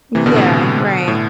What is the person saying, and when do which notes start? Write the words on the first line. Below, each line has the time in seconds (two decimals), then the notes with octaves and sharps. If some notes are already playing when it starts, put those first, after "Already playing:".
Yeah. Right.
0.15 C3 E3
0.26 B2 D3
0.36 A2 C3
0.46 B2 D3
1.08 A2